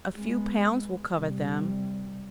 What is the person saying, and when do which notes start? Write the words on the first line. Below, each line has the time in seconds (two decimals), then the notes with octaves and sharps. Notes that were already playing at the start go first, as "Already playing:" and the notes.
A few pounds will cover them.'
0.15 G#3 B3
1.14 C3 G3